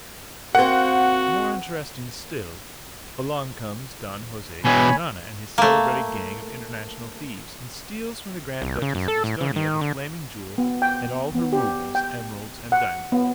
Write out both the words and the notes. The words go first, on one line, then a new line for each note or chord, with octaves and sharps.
More interesting still--along comes Don Jose Quintana and his celebrated gang of international thieves, and steals from the Grand Duchess of Esthonia the Flaming Jewel and all her rubies, emeralds and diamonds.
A#3 C4 F#4 F#5
B2 E3 C#5 G#5 B5
A3 A#3
C2
C#3
F#2
A4
A2
C#3
D#3
D3
B3
G5
B3
G4
G5
F#5
B3